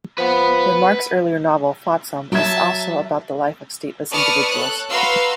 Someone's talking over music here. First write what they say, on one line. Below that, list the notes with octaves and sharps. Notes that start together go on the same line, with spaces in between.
Remarque's earlier novel "Flotsam" is also about the life of stateless individuals.
F3 B4 F#5
F#3 E5 A5 G#6
B4 D5 A5 C#6 D#6 F6
A4 C#5 F#6
F#4 B4 F5 A#5 C6 E6